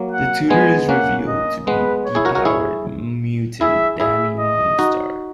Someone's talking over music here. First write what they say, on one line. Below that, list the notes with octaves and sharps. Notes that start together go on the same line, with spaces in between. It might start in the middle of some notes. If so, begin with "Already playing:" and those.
The tutor is revealed to be depowered mutant Dani Moonstar.
Already playing: F#3 A#3
F#5
G#3 B3 G#5
A#3 C#4 F#5
D#5
G#3 B3 B4
C#5
E4 G#4
F#4 A#4
F#4 A#4
E4 G#4
E4 G#4 E5
E4 G#4 E5
D#5
D#4 F#4